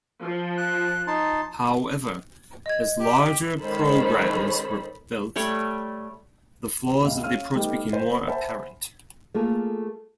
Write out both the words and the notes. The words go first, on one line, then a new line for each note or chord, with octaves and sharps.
However, as larger programs were built, the flaws of the approach became more apparent.
F3
F#6
D#4 A5 C6
D#5 G#6
G4
D#3 G#3 C#4 A4 C5 B5
G3 A3 C#5 D5
F#1 C#2 F5
C#4 F5 E6 F6 D#7
G3 A3 B3 D#4 G4
C5
A#3
C5 E5 F#5 G#5 A5 B5
A3 A#3 F4 G#4